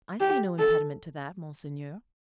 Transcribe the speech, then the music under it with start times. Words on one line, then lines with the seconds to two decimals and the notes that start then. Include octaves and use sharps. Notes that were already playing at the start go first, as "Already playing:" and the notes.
"I see no impediment to that, monseigneur."
0.20 G4
0.59 A4